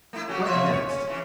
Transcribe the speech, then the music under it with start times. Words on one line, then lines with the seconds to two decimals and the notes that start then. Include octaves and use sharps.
What next!
0.13 A3 E4
0.28 C#3 F#4 G4
0.45 F3 F4 E5
0.69 D#2 C#5
0.89 C#4
1.07 C#3 E3